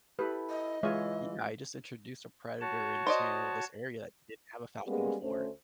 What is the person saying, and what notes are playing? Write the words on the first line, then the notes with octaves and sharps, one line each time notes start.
Yeah, I just introduced a predator into this area that didn't have a falcon before,
E4 G4 A4 B4
D#5
E3 G#3 F4 C#5 E5
F#4 C#5 A5
C5 D5 D#5
G3 G#3 A#3 B3 C#4 G#4
D2 A3 C#4 C5